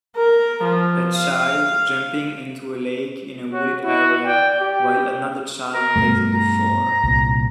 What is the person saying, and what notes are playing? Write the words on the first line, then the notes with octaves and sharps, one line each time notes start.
A child jumping into a lake in a wooded area while another child plays on the shore.
A#4
F3
F5
F#4 C#5
E4 F#4
D5 G5
G4 G5
A#4
G2 B2 A3
A#5
C2 A#2